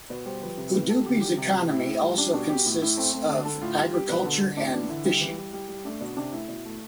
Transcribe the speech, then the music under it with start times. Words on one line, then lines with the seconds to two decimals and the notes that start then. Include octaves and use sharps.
Udupi's economy also consists of agriculture and fishing.
0.10 B2 B4
0.25 G3 C5
0.42 F3 B4
0.57 C3
0.73 A2 B4
0.89 G3 A4
1.05 D3 G4
1.21 G3 G4
1.37 C3 G4
1.53 C3
1.69 A2 E4
1.86 A2
2.02 G3 F4
2.18 G3 D4
2.33 B2 D4
2.49 B2 G4
2.66 A2
2.81 A2 E4
2.97 A3 C4
3.13 A3 C4
3.29 D3 D4
3.45 D3 A4
3.61 A2 F4
3.77 G3
3.93 G3 G4
4.09 B2 B4
4.24 D3 A4
4.41 D3
4.57 A2 D4
4.73 E3 D4
4.89 D3 E4
5.04 G3
5.21 E3
5.37 G3
5.53 G3
5.69 G3
5.85 A3 D4
6.01 B2
6.17 C3 D4
6.32 A3 E4
6.48 B2 E4
6.65 A3